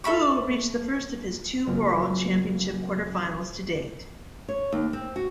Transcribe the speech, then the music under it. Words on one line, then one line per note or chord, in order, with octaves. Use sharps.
Fu reached the first of his two World Championship quarter-finals to date.
A4 E5 B5 C#6
F#1 F4 F6
C#5
D#2
C4
F#4